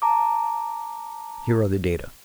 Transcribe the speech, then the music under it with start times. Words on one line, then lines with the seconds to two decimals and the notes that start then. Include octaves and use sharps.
Here are the data.
0.02 A5 A#5 D6